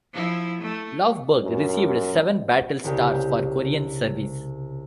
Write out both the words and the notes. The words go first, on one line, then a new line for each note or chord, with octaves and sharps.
"Lofberg" received seven battle stars for Korean service.
F3 E4
A3
F#2
C2 C#3 G4 G#4